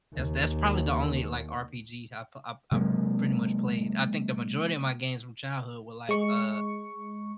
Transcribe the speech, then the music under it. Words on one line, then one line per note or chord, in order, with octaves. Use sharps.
that's that's probably the only, like, RPG I've p I've I've pretty much played, I think the majority of my games from childhood were, like, uh,
D#2
C3 F#3 G#3 A#3
G#3 C#6